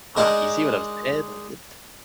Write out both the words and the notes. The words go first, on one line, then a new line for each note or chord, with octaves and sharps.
Ah, you see what I'm saying? Like it's
G#3 D4 D#4 A#4